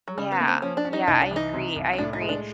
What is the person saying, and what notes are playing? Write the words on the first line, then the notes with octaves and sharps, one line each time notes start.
Yeah, yeah. I agree, I agree.
F#3
C#3 G3
B3
A#3
C4
F3 C#4
D4
C#4
D#4
C2 D#4
D4
E3 D#4
C3
C2
D#4
A2 D4
D#4
G#3
D4